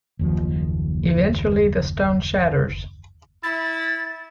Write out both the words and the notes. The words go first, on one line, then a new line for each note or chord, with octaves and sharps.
Eventually the stone shatters.
F#1 D#2 F3
E4 A6